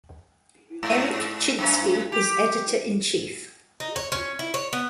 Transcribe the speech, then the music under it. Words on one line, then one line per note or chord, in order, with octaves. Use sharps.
Eric Chinski is editor-in-chief.
G#2
F#2
G4
D#4
C#5
C#4
E4
C#5
B3